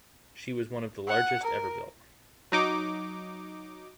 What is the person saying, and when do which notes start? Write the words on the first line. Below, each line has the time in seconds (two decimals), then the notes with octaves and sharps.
She was one of the largest ever built.
1.08 F#5
1.43 A#4
2.52 F#3 D#4 D6